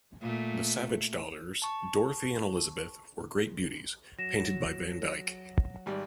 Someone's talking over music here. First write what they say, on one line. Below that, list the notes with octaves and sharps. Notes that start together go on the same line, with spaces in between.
The Savage daughters, Dorothy and Elizabeth, were great beauties, painted by Van Dyck.
A#2 A3
A5 C#6
F#3 A#6 E7
G#1 G3